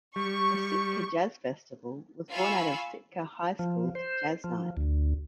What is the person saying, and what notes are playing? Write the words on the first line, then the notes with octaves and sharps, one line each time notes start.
The Sitka Jazz Festival was born out of Sitka High School's jazz nights.
G3 C#6
F4 F5 G#5 B5 C#6 E6
F3
C5
F3
D2